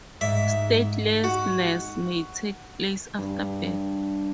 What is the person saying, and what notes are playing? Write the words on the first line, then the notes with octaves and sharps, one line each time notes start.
Statelessness may take place after birth.
G#2 E5
F#4
G2